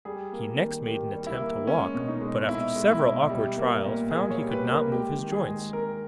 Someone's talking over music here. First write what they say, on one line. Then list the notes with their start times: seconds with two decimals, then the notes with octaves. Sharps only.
He next made an attempt to walk but after several awkward trials found he could not move his joints.
0.05 G3 G#4
0.32 A#3
0.59 D#3
0.86 D#3 G4
1.13 G3
1.27 E4
1.41 A#3
1.67 G#3 C#4
1.95 B2
2.08 D#4
2.21 G#3
2.48 B2 E4
2.76 G#3
2.89 E4
3.03 B2
3.29 G3
3.56 A#3
3.84 A#2
4.11 A#2 G#4
4.31 C#5
4.38 G3
4.51 B4
4.65 A#3
4.72 A#4
4.92 G#3 G4
5.19 D#3
5.32 G#4
5.46 G#3
5.73 D#3 A#4